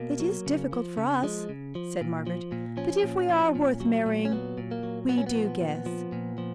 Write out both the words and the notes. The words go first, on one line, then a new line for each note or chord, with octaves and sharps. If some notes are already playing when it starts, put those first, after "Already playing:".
"It is difficult for us," said Margaret; "but if we are worth marrying, we do guess."
Already playing: B2 A#3
F#3
C#3
F3
C#3
F3 G#3
C#3
F3
A#2
F3
A#2
F3 C#4
A#2
F3
A#2
F#3
A#2
C#4
F#3 B3
A#2
A#3
F#3
A#2 B3
C#4
B3
F3
A#2
F3
A#2
F3